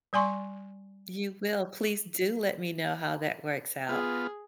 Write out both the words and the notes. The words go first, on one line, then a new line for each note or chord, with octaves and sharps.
you will, please do let me know how that works out.
G3 D5 G#5 C6 C#6
B3 F4 G#4